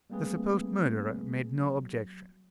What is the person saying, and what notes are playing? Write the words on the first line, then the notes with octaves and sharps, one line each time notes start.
The supposed murderer made no objection.
G3 A3 A#3 C4 G#4 B4
F#3